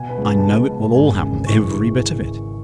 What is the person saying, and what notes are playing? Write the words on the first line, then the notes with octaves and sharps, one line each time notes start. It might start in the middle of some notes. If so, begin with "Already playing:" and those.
I know it will all happen- -every bit of it.
Already playing: B2 G#5
B4
C#2
A5
C#2 A5
B2
G#1 G#5
C#3
E3 C#6